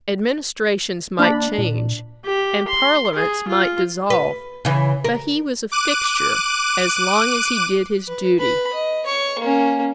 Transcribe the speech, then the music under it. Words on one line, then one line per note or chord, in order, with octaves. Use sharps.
Administrations might change, and Parliaments might dissolve; but he was a fixture as long as he did his duty.
A#3 D4 B5
A#2
G4
C6
G#4
F4
B4
C#3 E3
A#4
D6 F#6 D#7
B4
B4 B5
D#5
C#5 C#6
A#3 C#4